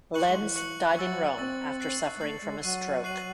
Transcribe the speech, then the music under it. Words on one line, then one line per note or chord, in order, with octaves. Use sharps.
Lenz died in Rome, after suffering from a stroke.
E3 C#6 F#6 C#7 F#7
G#3
E3
C#6 F#6 C#7 F#7
F#3 C#6 E6 A6
C4 C#6 E6 A6
F#6 C7 F#7
G#3
A3 F#6 C7 F#7
G#3
F#3 C#6 F#6 C7 D#7 F#7
C#6 F#6 C7 D#7 F#7